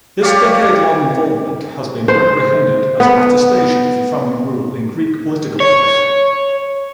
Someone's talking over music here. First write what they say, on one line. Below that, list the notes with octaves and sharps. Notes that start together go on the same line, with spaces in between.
This decade-long involvement has been reprehended as attestation for family-rule in Greek political life.
G4 C#5 D5 F5
C5
B3
C#5